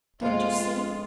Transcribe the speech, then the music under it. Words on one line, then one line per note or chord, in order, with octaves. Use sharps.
Don't you see?
F2 G#3 F4